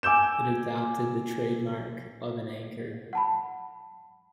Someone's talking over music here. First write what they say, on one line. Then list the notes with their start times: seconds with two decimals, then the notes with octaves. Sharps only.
It adopted the trademark of an anchor.
0.03 G#5 D6 E6 G6 E7
3.13 F#5 A5 B5